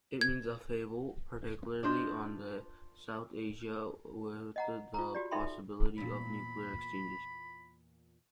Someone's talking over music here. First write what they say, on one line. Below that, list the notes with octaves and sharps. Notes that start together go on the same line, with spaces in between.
It means upheaval, particularly on the South Asia, with the possibility of nuclear exchanges.
G#6
D4 F4 C5 D#5
D#5 F#5 A#5
F4 A#5
F#4 G4 D5
D#4 A4 E5 G5 B5 C6
E2 A#2 B5